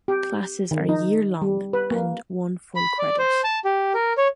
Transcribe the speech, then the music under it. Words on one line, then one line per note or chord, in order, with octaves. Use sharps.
Classes are year-long and one full credit.
G4
D#3
D#4
G3
B4
A#3
B5
D5
C5
A5
G4
A#4
C#5